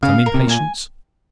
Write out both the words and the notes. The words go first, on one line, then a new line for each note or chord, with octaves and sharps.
Some impatience.
C#3 F5
A#4
C3
A#2 G#5